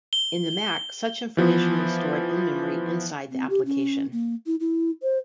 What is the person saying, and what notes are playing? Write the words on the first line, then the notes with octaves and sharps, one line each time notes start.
In the Mac such information was stored in memory inside the application.
G7
E3 F3 B3 E4
C4
G4
C#4
A#3
E4
E4
C5